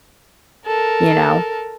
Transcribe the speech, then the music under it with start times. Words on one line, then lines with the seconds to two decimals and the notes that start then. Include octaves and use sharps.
You know?
0.66 A4 A#4